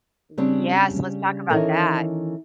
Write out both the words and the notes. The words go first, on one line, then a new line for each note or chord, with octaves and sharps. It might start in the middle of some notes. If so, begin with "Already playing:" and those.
Yes. Let's talk about that.
C#3 G3 C4 D4
D#3 E3 C#4 A4 A#4